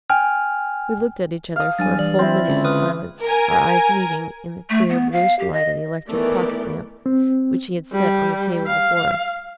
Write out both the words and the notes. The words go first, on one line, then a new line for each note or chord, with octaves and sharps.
We looked at each other for a full minute in silence--our eyes meeting in the queer, bluish light of the electric pocket-lamp which he had set on the table before us.
G5 G#5 F6
F5 D#6
G2 F#3 G#5 F6 A6
E3 D5
C4 E4
C#2 D3
B4 D#6 F6
A#4 G#5
A3
B3
F5
G4
D#5
D#3 E3 A3 B3 A#4 D5
C4
G3
F5